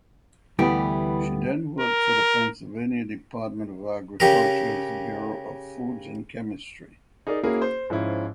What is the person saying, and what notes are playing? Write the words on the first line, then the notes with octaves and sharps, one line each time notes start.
She then worked for the Pennsylvania Department of Agriculture’s Bureau of Foods and Chemistry.
D2 E3 G3 A3 B3 E4 G4
A#4
C#3 G4 A#4
D#4 G#4 A#4 D5
A#3 C#4 E4 F#4 G#4 A#4
C5
G#2 F3 C#4 E4 F4